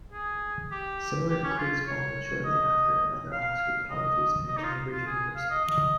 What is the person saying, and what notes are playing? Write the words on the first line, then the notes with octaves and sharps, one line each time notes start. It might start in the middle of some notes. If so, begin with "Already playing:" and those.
Similar decrees followed shortly after at other Oxford Colleges and at Cambridge University.
G#4
G4
G4
C#4
F4
C#5
D#5
F5
D#5
D#5
D#4
F4
F4
G#4
F5
D#5
D#5